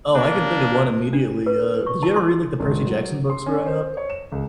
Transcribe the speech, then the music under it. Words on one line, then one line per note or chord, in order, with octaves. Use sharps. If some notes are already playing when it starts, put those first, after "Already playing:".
Oh, I can think of one immediately. Uh, did you ever read, like, the Percy Jackson books growing up?
A#3 D4
D4
B4
C#6
A5
C6
G#1
F#3
C6
C#4
C5
C#5
E7
C#2